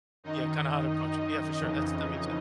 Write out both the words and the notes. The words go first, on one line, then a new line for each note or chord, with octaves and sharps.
Yeah, kinda how to approach it. Yeah, for sure, that's that makes sense.
F#2 D#3 D#4 D#5
D#4 D#5
F2 C#3 E3